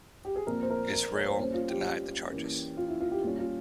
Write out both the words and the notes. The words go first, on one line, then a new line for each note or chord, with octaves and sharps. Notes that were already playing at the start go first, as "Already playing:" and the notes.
Israel denied the charges.
G4
G#4
A#2 F3 C4 A#4
C5
A#4
A#4
C#5
C5
A#2 G3 C#4 C5
F4
G4
E3 A#3 C#4
F4
E4
F4
G4
A#2 G3 C#4 F4
F4